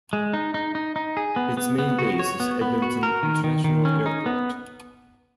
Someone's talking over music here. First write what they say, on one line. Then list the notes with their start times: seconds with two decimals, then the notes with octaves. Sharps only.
Its main base is Edmonton International Airport.
0.13 G#3
0.33 D#4
0.54 D#4
0.75 D#4
0.96 D#4
1.17 G#4
1.36 B3
1.57 B3
1.78 B3
1.99 F#4
2.19 C#5
2.40 B3
2.61 B3
2.82 F#4
3.03 A#4
3.23 D#3
3.44 D#3
3.64 D#3
3.85 C#4
4.06 D#4
4.26 B3